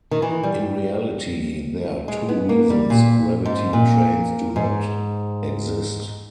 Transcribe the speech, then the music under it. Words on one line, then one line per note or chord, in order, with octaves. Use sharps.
In reality, there are two reasons gravity trains do not exist.
D#3
E3
G3
G#3
B3
A#3
G3
A#2
G#2
A#2
G#2